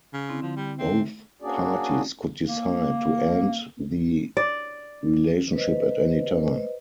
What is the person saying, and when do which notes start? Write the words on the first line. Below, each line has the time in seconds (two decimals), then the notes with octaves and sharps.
Both parties could decide to end the relationship at any time.
0.13 C#3
0.29 D3 C4 E4
0.42 D3 F3
0.56 G3
0.78 C4 E5
1.42 A#3 C#4 D4 F#4 G#4 D5
2.46 A#3
4.37 D5
5.53 B4 C5 D#5